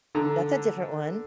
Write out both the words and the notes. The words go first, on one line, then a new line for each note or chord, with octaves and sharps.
that's a different one.
D3 A#5